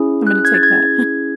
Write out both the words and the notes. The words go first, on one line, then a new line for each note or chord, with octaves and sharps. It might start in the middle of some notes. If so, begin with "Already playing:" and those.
I'm gonna take that.
Already playing: C#4 E4 G#4
F#6
G#6
A6
G#6